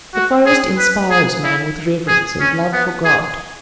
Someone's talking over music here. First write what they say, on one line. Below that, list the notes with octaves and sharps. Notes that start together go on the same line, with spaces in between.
The forest inspires man with reverence and love for God.
F#4
G#4
B4
G#4
E4
G#4
C#4
B3
G#4